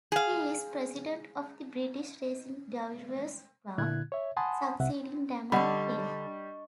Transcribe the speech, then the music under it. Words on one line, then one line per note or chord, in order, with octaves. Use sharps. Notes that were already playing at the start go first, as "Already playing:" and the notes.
He is president of the British Racing Drivers Club, succeeding Damon Hill.
G#4 F5
A#2 D3 E4 F#6 G#6
C#5 E5
F#5 G#5 A5 B5 C6 D#6
C2 C3 E5 F#5
D3 G3 D#5 F#5 B5 C#6